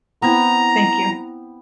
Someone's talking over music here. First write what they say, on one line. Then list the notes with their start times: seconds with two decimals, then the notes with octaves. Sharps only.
Thank you.
0.22 B3 C4 E4 A#5